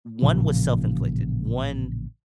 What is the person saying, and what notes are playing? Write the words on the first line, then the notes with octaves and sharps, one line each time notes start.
one was self-inflicted. One,
A1 A#2 C#3 F3